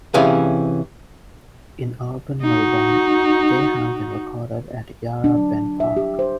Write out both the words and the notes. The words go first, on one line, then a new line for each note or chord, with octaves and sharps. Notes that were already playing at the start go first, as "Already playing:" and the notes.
In urban Melbourne, they have been recorded at Yarra Bend Park.
C3 E3 C#4 G#4 F5
D#4 F#4
D4
F#3
E5
G4
C5